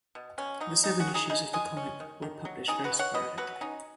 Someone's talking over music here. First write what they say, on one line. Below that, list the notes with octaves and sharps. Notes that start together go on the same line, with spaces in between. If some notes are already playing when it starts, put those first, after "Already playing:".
The seven issues of the comic were published very sporadically.
B2
B2 C#4
F#3 D#4
C#4 D#4
C#4 F#4
C#3
D#4 G#4
C#3 D#4 G#4
G#3 D#5 G#5
C#4
D#3
D#3
F#3
C#4 D#4 G#4
F#4 B4
B2
C#5 F#5
B2 B4 D#5
F#3 F#4 B4
C#4 D#4